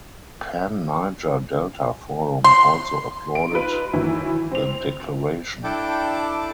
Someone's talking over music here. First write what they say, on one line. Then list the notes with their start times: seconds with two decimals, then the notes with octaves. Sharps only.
Pan Niger Delta Forum also applauded the Declaration.
2.44 C6
3.35 D7
3.51 D#4 F4 B4
3.93 D#3 E3 F#3 E4
4.51 C4 F7
5.64 D4 E4 A4 G5 D6